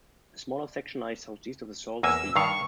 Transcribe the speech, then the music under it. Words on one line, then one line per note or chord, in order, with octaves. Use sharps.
A smaller section lies southeast of Sault Ste.
E2 A#3 G#5 E6
G2 D#3 F5 C#6